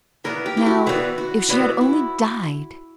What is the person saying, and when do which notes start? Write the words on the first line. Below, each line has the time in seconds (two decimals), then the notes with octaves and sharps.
Now--if she had only died!
0.24 E3 G3 B3 A#4
0.46 G4
0.57 E4
0.66 F#4
0.86 E3 G3 B3 F#4
1.18 F#4
1.49 E3 G3 B3 F#4
1.81 E4